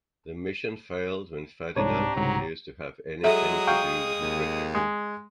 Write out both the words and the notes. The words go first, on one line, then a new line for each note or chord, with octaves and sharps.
The mission failed when Ferdinand refused to have anything to do with the British.
C2 G#2 C4 D4 G4 C#5 A#5
C2 G#2 C#3 F#3
F#3 G#3 A4 E5 D#6
F5 G5 C#6
D#2
G#3